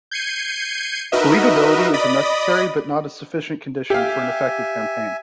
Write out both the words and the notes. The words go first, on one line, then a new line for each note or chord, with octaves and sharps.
Believability is a necessary but not a sufficient condition for an effective campaign.
G6 G#6 C7 C#7 D#7
D#4 F#4 A#4 B4 D#5 E5
D5 D#5 B5 D#6
G4 E5 F5 G#5